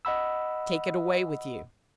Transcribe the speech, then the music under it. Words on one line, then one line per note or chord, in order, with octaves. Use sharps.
"Take it away with you."
D#5 F#5 B5 E6